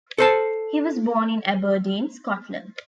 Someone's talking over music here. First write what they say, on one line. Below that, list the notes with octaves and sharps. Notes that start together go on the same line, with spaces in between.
He was born in Aberdeen, Scotland.
A4 C5 A5